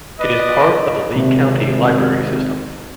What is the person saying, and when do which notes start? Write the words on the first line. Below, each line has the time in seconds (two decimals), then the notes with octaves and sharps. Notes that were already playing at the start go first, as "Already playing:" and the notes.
It is part of the Lee County Library System.
0.21 B4 D5 D#5
1.16 G#1 C3